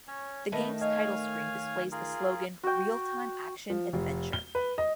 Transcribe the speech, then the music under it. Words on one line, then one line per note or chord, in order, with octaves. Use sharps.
The game's title screen displays the slogan Realtime Action Adventure.
C#4 C#5
D#3 A3 B4
C#5 D#5 F5 G#5
F4 G#4 A#4
F#4 G5
F3
F1
G7
B4
D#5